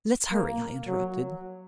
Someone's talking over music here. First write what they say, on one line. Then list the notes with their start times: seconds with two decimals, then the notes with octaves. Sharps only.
"Let's hurry!" I interrupted.
0.32 A#3
0.87 F#3